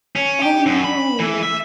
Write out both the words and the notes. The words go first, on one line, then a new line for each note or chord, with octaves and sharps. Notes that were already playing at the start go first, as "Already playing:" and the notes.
Oh, no.
C#4
G4
F#2
B5
E3
E5